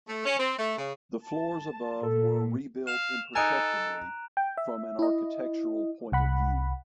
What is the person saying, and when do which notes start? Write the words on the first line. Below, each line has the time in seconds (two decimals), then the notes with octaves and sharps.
The floors above were rebuilt imperceptibly from an architectural point of view.
0.09 A3
0.26 C#4
0.39 C4
0.57 A3
0.78 C#3
1.23 A5
2.03 A#2 A4
2.87 F5 E7 F7
3.35 D#4 A4 G#5 A#5 F#6 D7
4.37 G5
4.57 E5
4.99 E4 D#5
6.12 C2 F#5 B5